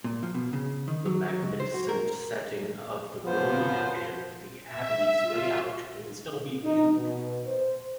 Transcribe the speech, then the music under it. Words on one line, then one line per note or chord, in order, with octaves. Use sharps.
The magnificent setting of the ruin and the Abbey's layout can still be viewed.
A#2
F3
B2
C#3
D#3
F#3
F#3
C#2
C5
F#4
A#4
F#2 F3 B3 F4 C5
E5
F4
D#4
B2
C5